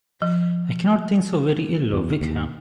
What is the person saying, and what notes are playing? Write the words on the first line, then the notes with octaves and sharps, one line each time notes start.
I cannot think so very ill of Wickham.
F3
E2
D#2